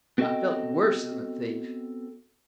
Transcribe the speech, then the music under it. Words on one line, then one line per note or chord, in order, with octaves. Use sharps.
I felt worse than a thief.
B3 C4 F#4 A4 D#5 G5